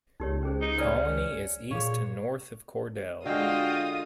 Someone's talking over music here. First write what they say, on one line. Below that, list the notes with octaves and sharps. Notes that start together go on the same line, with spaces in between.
Colony is east and north of Cordell.
C#2 D#4 G4 C#5
C#4 G#4 C5
D#4
C#4 C5 D5 F#5
A#2 G#4 C#5 F5
D3 G#3 F4 F#4 D#5 F5 G5 D#6